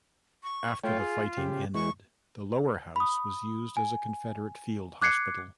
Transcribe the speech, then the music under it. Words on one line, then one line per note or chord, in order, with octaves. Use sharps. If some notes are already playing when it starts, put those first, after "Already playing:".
After the fighting ended, the lower house was used as a Confederate field hospital.
C#6
A3 F4 C#5 G5
G#4
C#3 G4
E3 G#3 C#6
B5 D#6
G#5
D6 F#6 G#6 C7 C#7